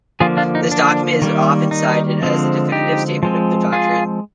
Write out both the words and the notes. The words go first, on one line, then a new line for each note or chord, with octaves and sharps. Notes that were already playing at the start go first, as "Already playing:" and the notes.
This document is often cited as the definitive statement of the doctrine.
D3 F3 A#3 F4 G#4
D4 F4
D#4
D4
D#3 G3 A#3
D#4
D3 F3 G#3 C4
D#4 G4
F3 G#3 C4
F4 G#4